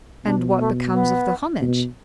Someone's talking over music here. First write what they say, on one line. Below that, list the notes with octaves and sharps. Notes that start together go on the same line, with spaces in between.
'And what becomes of the homage?'
B2 D4
A3
B3
B2